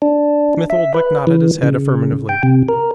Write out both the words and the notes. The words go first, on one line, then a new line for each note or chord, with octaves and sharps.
Smith-Oldwick nodded his head affirmatively.
D4
E5
B4
E3
C#3
G5
C3
A#4